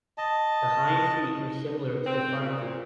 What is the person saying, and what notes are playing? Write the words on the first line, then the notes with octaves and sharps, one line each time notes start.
The hind feet are similar to the front feet.
D#5 A5
C4
A#2